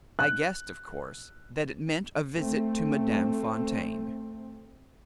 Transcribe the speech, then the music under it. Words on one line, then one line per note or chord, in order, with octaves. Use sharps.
I guessed of course that it meant a visit to Madame Fontaine.
F#6
A3 C4